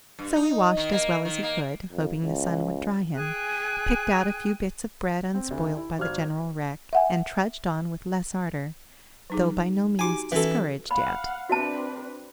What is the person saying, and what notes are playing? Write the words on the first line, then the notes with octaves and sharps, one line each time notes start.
So he washed as well as he could, hoping the sun would dry him, picked out a few bits of bread unspoiled by the general wreck, and trudged on with less ardor, though by no means discouraged yet.
G2
D#4
D#3
A#3
D#3
A#3
F2
C#2
G#4 G5 G#5 F#6
C4
D2
E4
G#1 F#4 D5 F6 G#6
E5 F#5 G#5
F#3 D#4 G#4
D#4 F#4 G4 G#5 D6
E3 C#4 F#4 A4
F5 F#5 B5
C4 D4 F#4 B4 E5 A5